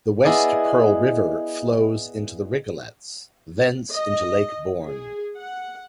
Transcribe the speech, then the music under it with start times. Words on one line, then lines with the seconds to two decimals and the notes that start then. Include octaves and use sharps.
The West Pearl River flows into The Rigolets, thence into Lake Borgne.
0.25 B3 E4 G#4 D5 D#5
3.89 D#5
4.84 G#4
5.36 F#5